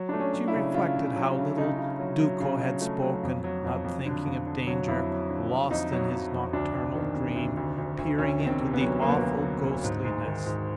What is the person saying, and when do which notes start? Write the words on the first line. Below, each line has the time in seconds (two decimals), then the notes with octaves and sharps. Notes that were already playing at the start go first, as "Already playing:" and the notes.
She reflected how little Duco had spoken, not thinking of danger, lost in his nocturnal dream, peering into the awful ghostliness.
Already playing: F#3
0.09 A3 D4
0.20 C#4
0.33 F#3
0.48 E4
0.54 C#3
0.74 C#3 F4
0.96 C#3
1.16 F#3
1.37 C#3
1.57 C#3 D#4
1.78 C#3
1.99 F#3
2.20 F#3
2.40 C#3
2.61 F#3
2.81 A3
3.02 F#3
3.23 F2
3.44 F#3
3.64 F2
3.84 F2
4.06 D3
4.26 F2
4.47 D3
4.67 F#3
4.88 F2 E4
5.09 F#3
5.29 D3
5.49 F2
5.71 F2 D#4
5.92 F#3
6.12 F#3
6.33 F2
6.53 D2 D4
6.75 D2
6.95 D#3
7.15 C3
7.36 D2
7.57 D2
7.78 D2
7.98 D2
8.18 D2 C#4
8.39 D#3
8.46 C4
8.60 C3
8.73 B3
8.81 F#3
9.01 F#3 A#3
9.09 B3
9.17 D2 A#3
9.43 F#3
9.63 D2
9.84 G#2
10.05 G#2
10.25 D#3
10.46 G#2